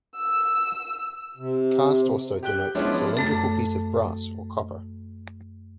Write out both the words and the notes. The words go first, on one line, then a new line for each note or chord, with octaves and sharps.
Cast also denotes a cylindrical piece of brass or copper.
E6
C3
G4 G5 F#6 G7
F3 G#3 B3 C#4 D4 E4
F#2 A3 A4